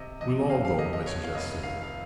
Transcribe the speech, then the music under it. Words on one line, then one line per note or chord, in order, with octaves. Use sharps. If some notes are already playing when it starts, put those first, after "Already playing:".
"We'll all go," I suggested.
Already playing: C3 D#5
F2 D#5
F2 F5
F5
F2 D#5
D#5
F1 C#5
F5
F1 D#5
D#3 F5
F5